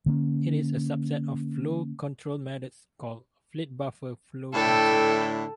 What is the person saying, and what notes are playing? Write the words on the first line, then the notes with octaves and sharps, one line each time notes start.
It is a subset of flow control methods called Flit-Buffer Flow Control.
D3 A#3 C#4
A2 D3 E4 A4 G5